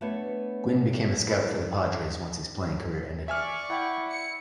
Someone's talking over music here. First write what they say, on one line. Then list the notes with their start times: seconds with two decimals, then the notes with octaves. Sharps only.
Gwynn became a scout for the Padres once his playing career ended.
0.01 A3 B3 D4 B4 C#5
1.27 E4 A#4 D5
3.28 D5 E5 G#5 C#6 F6
3.70 E4 F#5 G5
4.10 C#7